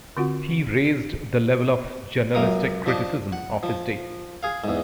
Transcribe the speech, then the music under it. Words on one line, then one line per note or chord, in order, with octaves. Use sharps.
He raised the level of journalistic criticism of his day.
D3 C4 F4 F#4 F#5
C#2 F#2 F5 A#5 D#6
F3 D4 D#5
F#5
F3
G#4 F5
E2 G#2